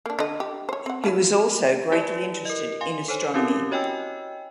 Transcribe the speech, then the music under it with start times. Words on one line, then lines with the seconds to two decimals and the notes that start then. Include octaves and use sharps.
He was also greatly interested in astronomy.
0.06 A#3 D4
0.19 D3 D#5
0.40 G4
0.69 C5 C#5
0.86 C4 F#5
1.04 F3 C#4 E4
1.92 E4 G4 B4 D5
2.45 A#4 D#5
2.81 F5 G#5 C6
3.08 A4 C5 C#5 G#5
3.34 C4 C#4 E4 G4 A#4
3.71 F#4 C#5 D#5 G5 G#5 E6